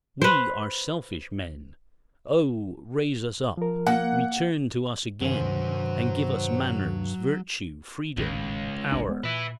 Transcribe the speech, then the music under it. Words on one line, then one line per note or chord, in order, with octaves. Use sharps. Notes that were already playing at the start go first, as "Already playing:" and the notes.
We are selfish men O! raise us up, return to us again; And give us manners, virtue, freedom, power.
B4 C5
F3 A#4
A#3 F#5
G2 C3 D#3 F#3 C5 G#5
G#1 C#2 A2 D#3
G1 C2 D4
G#3 B3
A#2 B4 E5